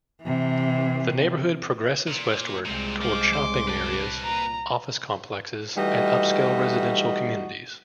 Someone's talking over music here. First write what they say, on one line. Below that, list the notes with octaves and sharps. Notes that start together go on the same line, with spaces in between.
The neighborhood progresses westward toward shopping areas, office complexes, and upscale residential communities.
C3 E3
A#2
C2 A#2 G#3 C4
F3 D6
C5 C6
B4 A5
A#2 A#5
E3 G3 A3 D#4 F#4 D#5